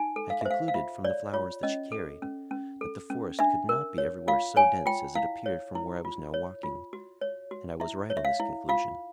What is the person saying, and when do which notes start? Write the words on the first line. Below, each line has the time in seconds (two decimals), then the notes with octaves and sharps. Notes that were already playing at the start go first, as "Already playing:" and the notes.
I concluded from the flowers that she carried, that the forest could not be everywhere so dense as it appeared from where I was now walking; and I was right in this conclusion.
Already playing: D#4 G#5
0.16 A4
0.30 F5
0.41 C5 E5
0.51 F5
0.68 F5
0.74 F4 E5
1.04 C#5 D5
1.33 F4 C#5
1.63 C#4 D#5
1.92 A4
2.22 C#4
2.51 C#4
2.81 A4
3.10 C#4
3.39 D4 E5
3.69 A#4
3.98 C#5
4.28 F4 F5
4.56 C#5 G#5
4.86 F4 G5
5.15 E4 F5
5.46 C#5
5.75 E4
6.05 F4
6.34 C#5
6.63 F4
6.93 F#4
7.21 C#5
7.51 F#4
7.80 E4 E5
8.10 C#5
8.17 E5
8.25 F5
8.40 E4
8.69 F4 F5